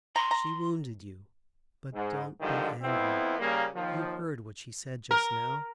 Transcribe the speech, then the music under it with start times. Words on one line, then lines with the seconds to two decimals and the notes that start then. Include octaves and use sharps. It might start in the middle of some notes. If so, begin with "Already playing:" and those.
She wounded you, but don't be angry. You heard what she said just now?
0.16 A#5 C6
0.31 A#5
1.94 G#2
2.41 G#2 D3 D#3 F3 G3
2.82 F2 B3 C4 E4
3.39 C#3 G3 A#3
3.74 D#2 D#3 F3
5.11 A#4